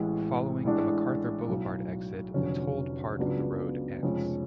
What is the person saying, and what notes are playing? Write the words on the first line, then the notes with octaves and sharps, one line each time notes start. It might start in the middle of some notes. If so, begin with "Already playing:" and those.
Following the MacArthur Boulevard exit, the tolled part of the road ends.
Already playing: A1 A2 G#3
A1 A2 G#3 D4
B1 A2 F#3
F1 F2 D3 F#3 C#4
C#2 C#3 F#3 B3 D4
F1 F2 F3 G#3 C#4